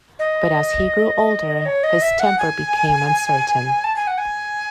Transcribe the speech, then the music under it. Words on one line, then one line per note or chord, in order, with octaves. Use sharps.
But as he grew older his temper became uncertain.
D#5
C#5
D#5
E5
F#5
G#5
A5
G#5
F#5
G#5